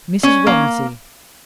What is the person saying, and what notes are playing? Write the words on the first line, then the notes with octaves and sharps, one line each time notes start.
Mrs. Romsey.
C#4
A#3